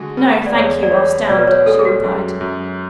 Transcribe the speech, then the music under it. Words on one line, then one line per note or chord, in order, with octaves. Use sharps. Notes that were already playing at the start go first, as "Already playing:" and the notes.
"No, thank you, I'll stand," she replied.
Already playing: D3 G#3 F#4
B3 B4
D5
E2 C#5
D5
E2 C#5
B2 D5
B4
C#5
G#3 A4
G#4
F#4
F#2
F#2